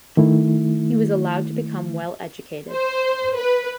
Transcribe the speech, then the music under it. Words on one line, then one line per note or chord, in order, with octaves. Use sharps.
He was allowed to become well-educated.
D#3 A3 E4
C5
B4